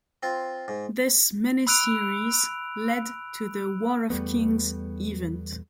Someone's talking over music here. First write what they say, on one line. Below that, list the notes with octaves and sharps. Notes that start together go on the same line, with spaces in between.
This mini-series led to the War of Kings event.
C4 F4
G#2
B5 E6 F#6 D7 F7
E2 G3 A3 B3